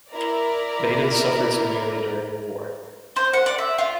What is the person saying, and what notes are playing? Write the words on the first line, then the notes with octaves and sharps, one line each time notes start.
Baden suffered severely during the war.
E4 A#4 D5 A#5
C5
F#5
D5
E5
F4